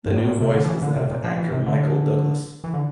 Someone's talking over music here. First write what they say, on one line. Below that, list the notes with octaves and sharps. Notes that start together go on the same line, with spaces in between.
The new voice is that of actor Michael Douglas.
G2
A2
A#2
C3
D3
F3
E3
D3
C3
A#2
F3
E3
C3
D3
E3
D3